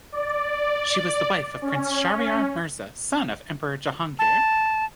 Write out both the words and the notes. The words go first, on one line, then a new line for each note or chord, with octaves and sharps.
She was the wife of Prince Shahryar Mirza son of Emperor Jahangir.
D5
C#4
A5